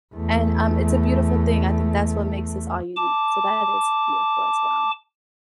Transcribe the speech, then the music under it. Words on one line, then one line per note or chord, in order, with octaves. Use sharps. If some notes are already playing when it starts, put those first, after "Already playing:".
And, um, it's a beautiful thing, I think that's what makes us all unique, so that is beautiful as well.
E2 A3
A5 D6